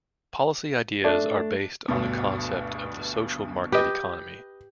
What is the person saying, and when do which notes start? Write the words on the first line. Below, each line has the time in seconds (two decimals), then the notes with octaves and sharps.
Policy ideas are based on the concept of the social market economy.
1.04 A3 D4
1.88 D2 G2 B2
3.72 G4 B4 D#5